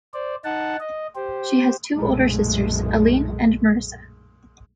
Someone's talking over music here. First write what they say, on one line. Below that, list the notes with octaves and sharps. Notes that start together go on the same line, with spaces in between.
She has two older sisters, Aileen and Marisa.
C5 D5
D#4 F#5 A5
D#5
G4 C5
B1 F#2 A#2 G#3 A3